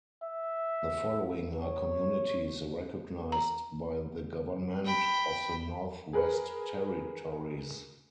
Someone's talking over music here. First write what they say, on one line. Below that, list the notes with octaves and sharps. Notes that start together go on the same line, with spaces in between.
The following are communities recognised by the Government of the Northwest Territories.
E5
C#5
A#5
G5 B5
G#4 A#4 B4